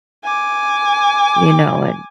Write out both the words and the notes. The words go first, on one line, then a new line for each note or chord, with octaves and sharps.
you know, and,
G#5 D6